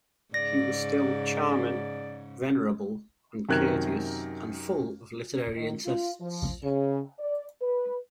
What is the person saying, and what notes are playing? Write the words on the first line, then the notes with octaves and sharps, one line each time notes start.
He was still charming, venerable, and courteous, and full of literary interests.
G#2 C#3 D5 A#6
F#2 C3 D#3 A#4 F#6 G#6
D#3
F4
F3
C#3
D5
B4